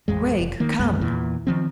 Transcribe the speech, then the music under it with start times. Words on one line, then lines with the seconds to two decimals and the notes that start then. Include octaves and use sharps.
"Gregg, come."
0.08 A1 F2 G#3
0.39 F1
0.60 D#3 A#3
0.79 C2 F#2 G#3 B3
1.01 E2 A#2 E3
1.47 D#3 F3 C4